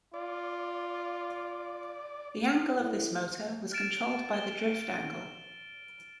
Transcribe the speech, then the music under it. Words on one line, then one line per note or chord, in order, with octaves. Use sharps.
The angle of this motor was controlled by the 'drift angle'.
F4 D5
A2
F6 A6 D7 E7
G7